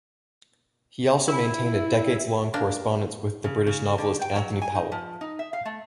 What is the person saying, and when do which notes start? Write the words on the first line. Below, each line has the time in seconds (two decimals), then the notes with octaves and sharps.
He also maintained a decades-long correspondence with the British novelist Anthony Powell.
1.28 E4
2.54 A#3 D4
3.44 C#3
3.67 C#3
3.98 D3
4.21 G5
4.36 F#3
4.62 G#5
4.75 D#4
4.92 F3
5.21 D#4
5.39 E5
5.53 F5
5.65 A3